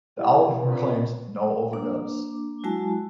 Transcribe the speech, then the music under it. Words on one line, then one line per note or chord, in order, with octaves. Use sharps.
The album proclaims: No overdubs.
G3 G#3 E4
C4 D4 F4 A#4 B4
A#3 D4 D6
F#3 G#3 E4 F#4 G#5 A5